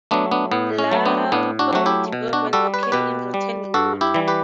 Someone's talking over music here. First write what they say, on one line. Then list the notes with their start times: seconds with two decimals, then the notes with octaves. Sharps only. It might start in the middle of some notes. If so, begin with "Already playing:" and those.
Larval development occur in rotten wood.
0.11 F#3 A3 B3 D4
0.31 B3 D4
0.51 A2 B3
0.78 C#4
0.91 F#3 A3
1.05 B3 D4
1.32 A2 B3 D4
1.59 D4 F#4
1.73 F#3 A3 F#4
1.86 E4 G4
2.13 B2
2.33 D4 F#4
2.53 G3 F#4 A4
2.74 B4
2.83 C#5
2.92 B2 G4 B4
3.34 G3
3.74 G2 F#4 A4
4.01 E4 G4
4.14 E3 G3
4.28 G4 B4